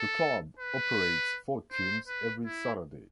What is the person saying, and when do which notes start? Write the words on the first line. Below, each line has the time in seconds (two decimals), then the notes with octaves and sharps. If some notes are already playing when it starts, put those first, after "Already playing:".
The club operates four teams every Saturday.
Already playing: A4
0.59 B4
1.72 C5
2.08 B4
2.45 E4